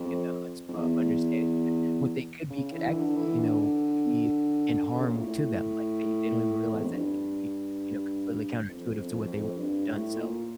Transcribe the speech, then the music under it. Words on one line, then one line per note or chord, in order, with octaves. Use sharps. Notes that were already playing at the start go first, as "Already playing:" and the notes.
in the chutzpah of understanding that what they could be could actually, you know, be in harm to them. Like they they don't even realize that it could be, you know, completely counterintuitive to what they want to get done, so,
Already playing: F2
F2
E2
C#3
E3
D3
E3
D3
D3
C#3
A#2
A2
E2
F2
G2
F2
F2
F2
G2
A2
A#2